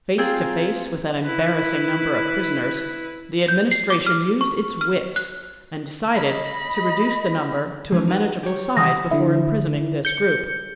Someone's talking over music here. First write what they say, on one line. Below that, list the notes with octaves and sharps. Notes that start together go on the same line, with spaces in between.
Face to face with an embarrassing number of prisoners the Administration used its wits and decided to reduce the number to a manageable size before imprisoning this group.
C4 F4 G#4 A#4
E4 B4
G6
C7
D6
F6
C#6
F6
F#6
D#5 B5
F3 G#3 C#4
D#4 B4 F#5
G4 C#5
D#3 E3 G3 F#5 D#6 A#6
D3 E4
G6 C#7